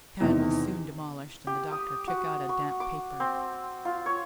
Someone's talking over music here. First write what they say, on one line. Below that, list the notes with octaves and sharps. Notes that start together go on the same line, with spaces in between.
The cairn was soon demolished, and the doctor took out a damp paper.
E2 C3 D#3
G4
D#6
F#4
C#6
D6
C4
F4
C#5